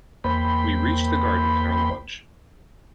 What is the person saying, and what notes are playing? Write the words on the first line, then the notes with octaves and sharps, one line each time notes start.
We reach the garden in our launch.
E2 A#3 C5 G5 B5